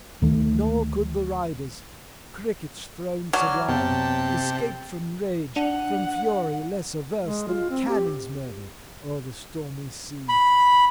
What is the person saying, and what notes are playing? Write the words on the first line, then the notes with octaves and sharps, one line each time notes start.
Nor could the riders, crickets throned sublime, escape from rage, from fury less averse than cannons murder o'er the stormy sea.
D2 D#3 A3
F#3 D5 F#5 F6 G#6
F#2 C3 B3 C4 G5 A5
D4 F#5
G#3
F4
C4
G4
B5